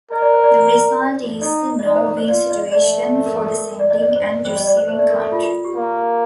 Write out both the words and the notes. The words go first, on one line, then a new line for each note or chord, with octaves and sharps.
The result is a no-win situation for the sending and receiving country.
A#4 D#5
D5
C5
D5
D#4 D#5
D#5
D#4 D5
C5
C5
F4 D5
D#5
A3 D5
A#4
A4
A#4
A#4
A#4
D5
D#5
D5
C5
G3 C5
D#5
D5
C5
A3 C5
D5
A#4
A4
F4
F4
G4
A#3